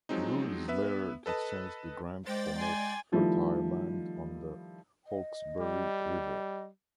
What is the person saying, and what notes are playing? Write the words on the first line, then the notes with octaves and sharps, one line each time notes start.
Ruse later exchanged the grant for more fertile land on the Hawkesbury River.
F3 F#3 G#3 C4 D#4
B3 B4 E5
A4 B4 D#5 A5
G#3 C5 D5 G5 A6
G#5 C6
D#3 F3 G3 A3 E4
D#5
G3